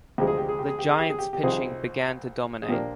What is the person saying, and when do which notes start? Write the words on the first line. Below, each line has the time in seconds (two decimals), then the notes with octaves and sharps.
The Giants pitching began to dominate.
0.18 D2 C3 F3 G#3 G4
0.27 G#4
0.38 G4
0.49 G#4
0.59 G4
0.69 G#4
0.79 G4
0.89 G#4
0.99 G4
1.09 G#4
1.19 G4
1.33 G4
1.43 C2 C3 F3 C4 D#4 G#4
2.62 G#4
2.69 A#2 F3 A#3 D4 G4